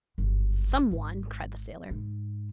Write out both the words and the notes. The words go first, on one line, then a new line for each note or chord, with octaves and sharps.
"Some one," cried the sailor.
G1 F#2
G#1
G#2